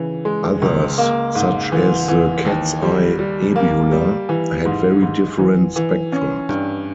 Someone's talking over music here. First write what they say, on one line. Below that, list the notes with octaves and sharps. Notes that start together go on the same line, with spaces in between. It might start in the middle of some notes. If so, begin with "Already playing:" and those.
Others, such as the Cat's Eye Nebula, had very different spectra.
Already playing: C#3 E3
G#3
C#2
A#3
G#2
E3
E3
D#2
G3
G3
A#3
G3
E3
G#2
G#2
E3
E3
C#4
G2